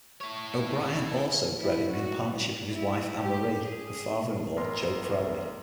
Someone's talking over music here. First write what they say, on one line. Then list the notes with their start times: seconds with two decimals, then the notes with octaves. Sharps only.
O'Brien also bred him in partnership with his wife Anne-Marie and father-in-law Joe Crowley.
0.21 E4 C#5
1.60 E4
1.91 F#4
2.27 G3
2.74 E4
3.21 G4
3.64 G#4
4.57 A1 A#4 B4 C6